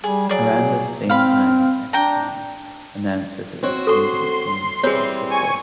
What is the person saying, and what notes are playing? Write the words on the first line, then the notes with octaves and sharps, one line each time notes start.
Around this same time, Exatron announced that it was changing its name to Entrepo.
G3 G#4
F#3 G#4 D5
C4 F5 B5
D4 G5 A#5
C4 F#4 C#5
A4 C6 C#6
E3 G3 C4 G#4 C#5
G#5 C#6